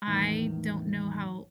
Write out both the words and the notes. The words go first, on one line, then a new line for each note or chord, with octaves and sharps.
I don't know how
E2 A2 D#3